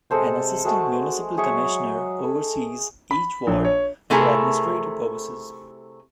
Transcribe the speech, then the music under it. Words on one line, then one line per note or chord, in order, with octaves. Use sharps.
An assistant municipal commissioner oversees each ward for administrative purposes.
C3 G#3 A4 C5
G#3 A3 F#4 A5
F#3 G#4 E5 C#6
A4
B5
A#1
C#5
C3 A3 E4 G#4 A#4